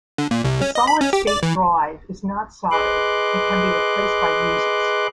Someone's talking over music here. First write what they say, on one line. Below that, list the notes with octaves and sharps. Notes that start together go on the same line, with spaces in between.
The solid state drive is not soldered and can be replaced by users.
D3
A#2
C2
C#4
D#5
B5
C#4
G4
D5
E3
G#4 B4 D#5 C6 D6 F#6